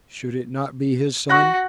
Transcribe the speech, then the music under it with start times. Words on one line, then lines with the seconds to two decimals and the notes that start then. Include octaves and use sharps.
Should it not be his son?
1.29 F#4 C#6 F#6 A#6